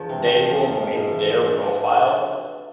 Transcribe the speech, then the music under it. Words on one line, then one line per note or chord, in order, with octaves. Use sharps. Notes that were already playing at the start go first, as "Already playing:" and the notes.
they will make their profile
Already playing: E2 F3 D4
C3
E2
F3
F#2
G#3
G#2
E3
G#3
D4
F3
A3
B2